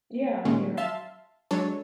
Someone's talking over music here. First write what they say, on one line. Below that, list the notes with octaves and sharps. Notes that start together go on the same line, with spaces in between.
Yeah, yeah,
A#2 D#3 G#3 A#3 C#4
E5 F5 A5 C6
F#3 G#3 D4 A4 C#5